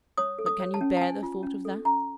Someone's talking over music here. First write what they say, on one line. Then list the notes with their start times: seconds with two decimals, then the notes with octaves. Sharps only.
But can you bear the thought of that?'
0.17 C#5 D#6
0.39 A4
0.46 D#6
0.60 C#5
0.74 A5
0.81 C#4
0.97 A5
1.01 C#4 G#5
1.23 F4
1.43 C#4
1.65 A4
1.85 C#4 A#5